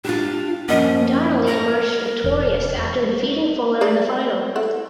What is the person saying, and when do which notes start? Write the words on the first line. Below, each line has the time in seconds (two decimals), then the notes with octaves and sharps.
Donnelly emerged victorious after defeating Fuller in the final.
0.05 D4 F4 G4
0.69 F#2 F3 A#3 C#4 D#5
1.48 A#4 A#5
2.24 E1
3.81 G#4 A4 D5
4.55 E4 A4 F#5